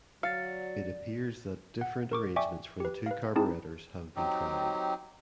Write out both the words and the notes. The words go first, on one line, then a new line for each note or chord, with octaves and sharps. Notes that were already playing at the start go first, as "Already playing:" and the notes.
It appears that different arrangements for the two carburettors have been tried.
D3 F#3 F5 A6 C#7
F#5
A#4 C#6 D6
D5 E5 G5 G#5 C#6 D6
G4 B4
B4 F5
C4 D#4 E4 G#4 A5
F#3 C4 D#4 G4